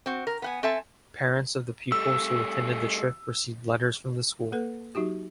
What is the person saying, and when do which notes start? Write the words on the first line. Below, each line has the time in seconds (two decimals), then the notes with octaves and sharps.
Parents of the pupils who attended the trip received letters from the school.
0.06 C4 F#4
0.27 A#4
0.42 B3 F#5 G#5
0.63 C4 A4 E5 G#5 A5
1.92 G3 A3 E6
4.52 A#3 A4 B4
4.95 F#3 D#4 F#4 G4